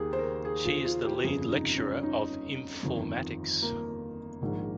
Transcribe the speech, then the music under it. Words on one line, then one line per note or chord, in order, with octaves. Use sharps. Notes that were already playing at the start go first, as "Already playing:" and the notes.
She is the lead lecturer of informatics.
Already playing: D#2 D#3 G4 G#4
C5
A#4
G#4
F4
F4
G4
G1 F2 C#3 G#4
D#4
C#4
D#4
G1 F2 D#3
A#3
A#1 G#2 D#3